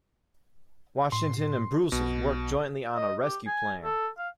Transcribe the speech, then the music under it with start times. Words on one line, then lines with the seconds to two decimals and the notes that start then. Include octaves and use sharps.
Washington and Brussels worked jointly on a rescue plan.
1.12 A2 C6
1.92 B1 B2
2.96 D#5
3.23 G4
3.47 G#5
3.84 A4
4.18 F5